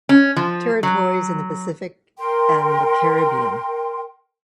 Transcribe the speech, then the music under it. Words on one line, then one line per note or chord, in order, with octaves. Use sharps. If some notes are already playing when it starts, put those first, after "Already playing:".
Territories in the Pacific and the Caribbean.
C#4
F3
F#3
A#4 G5 C6